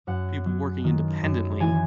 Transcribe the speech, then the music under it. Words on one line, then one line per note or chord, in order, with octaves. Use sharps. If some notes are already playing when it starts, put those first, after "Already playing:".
people working independently,
F#2 F#5
F#3
D#3
F#2
E3 G#5